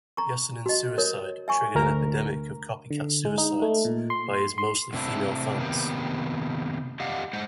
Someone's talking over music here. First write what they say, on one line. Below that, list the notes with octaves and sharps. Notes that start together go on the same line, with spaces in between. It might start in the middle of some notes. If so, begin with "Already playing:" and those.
Yesenin's suicide triggered an epidemic of copycat suicides by his mostly female fans.
A#5 C#6
F#4 D#5
A#4 C#5
E5 G#5 C#6
D2 A#4 A#5
D3
G#3
D#4
A3
A#2
C6
C6
A2 C3 D4 E4
C3 D#3 A#3 B3 G4
G4 D5 D#5 F5 F#5
G#3 C5 F#5